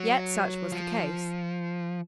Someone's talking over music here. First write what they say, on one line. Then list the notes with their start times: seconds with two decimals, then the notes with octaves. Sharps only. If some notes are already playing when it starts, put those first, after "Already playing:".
Yet such was the case.
Already playing: F#3
0.72 F3